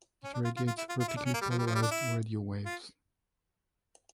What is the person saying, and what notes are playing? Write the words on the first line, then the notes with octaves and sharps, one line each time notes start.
It radiates vertically polarized radio waves.
C#4
D4
F4
F4
F4
E4
F4
F4
E4
D4
C#4
A#3
G3
F3
G3
F3
G3
D4
E4
F4